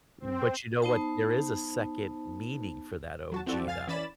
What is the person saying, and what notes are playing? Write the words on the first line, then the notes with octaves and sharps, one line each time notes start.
But you know what? There is a second meaning for that OG, though.
C4
B3 D#4 C5 A5
F#3 F#4 A5
F3 C4 E4 F#4 A4 D5
F2 F5 G#5 A6
E3 C#4 D5 B5 A6 E7